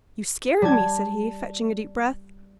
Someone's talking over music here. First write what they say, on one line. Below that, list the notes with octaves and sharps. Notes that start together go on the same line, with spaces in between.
"You scared me!" said he, fetching a deep breath.
G3 A5 G#6